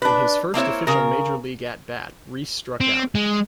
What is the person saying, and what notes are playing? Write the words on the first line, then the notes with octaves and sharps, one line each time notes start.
In his first official major league at-bat, Reese struck out.
D4 B4
A#3 C4 E4 C#5
C#3 A#4
C4
G#3